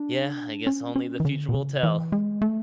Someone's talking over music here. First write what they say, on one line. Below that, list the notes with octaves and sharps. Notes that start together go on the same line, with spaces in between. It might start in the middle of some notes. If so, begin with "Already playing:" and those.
Yeah, I guess only the future will tell.
Already playing: D4
C#4
C#4
E3
D3
B2
C#3
E3
G#3
A3